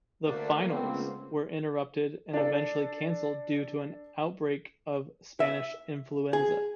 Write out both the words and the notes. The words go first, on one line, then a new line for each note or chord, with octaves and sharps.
The Finals were interrupted and eventually cancelled due to an outbreak of Spanish influenza.
D2 D3 A3 A#3 D4
C#2 B3 C4
D4 A4
E5
G#4